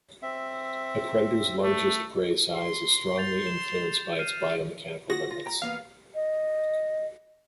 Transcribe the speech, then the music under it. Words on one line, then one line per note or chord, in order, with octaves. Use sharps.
A predator's largest prey size is strongly influenced by its biomechanical limits.
C4 E5
A3
C6
G6 A6 F7
E7
F6 C7 D#7
F4 F#4 G#4 A#6
F4
G5 A#5
E2 A#3 B3 F5
D#5